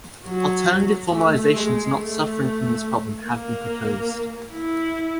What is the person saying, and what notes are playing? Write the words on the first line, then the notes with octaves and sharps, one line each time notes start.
Alternative formalizations not suffering from this problem have been proposed.
F#3
A3
G#3
A3
A#3
E4